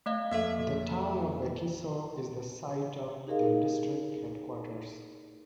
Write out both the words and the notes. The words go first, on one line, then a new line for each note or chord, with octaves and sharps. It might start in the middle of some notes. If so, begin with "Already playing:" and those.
The town of Wakiso is the site of the district headquarters.
A3 D#5 F5
F2 A#3 A4 E5
D#4 G4 G#4 A#4 D#5 F5